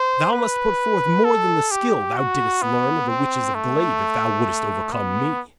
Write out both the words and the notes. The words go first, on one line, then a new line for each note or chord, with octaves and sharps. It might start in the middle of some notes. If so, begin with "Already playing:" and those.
'Thou must put forth more than the skill thou didst learn of the witches of Glaive if thou wouldst overcome me.
Already playing: C5
B4
A4
G4
F#4
B3
C4
A3
B3